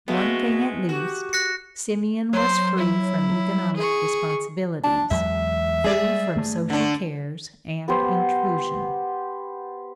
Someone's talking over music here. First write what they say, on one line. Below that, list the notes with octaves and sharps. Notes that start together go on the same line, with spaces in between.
One thing at least, Simeon was free from economic responsibilities, free from social cares and intrusion.
G#3 A3 B3 F#4 F5
F#4 G4
F#6 A#6 C#7
F#3 C5
E4
G#4 C#6
D4
E2 F#3 G#3 E5
G3 G#3 G#4 D5
G2 A3
D3 D4
B3 G4 B4 C5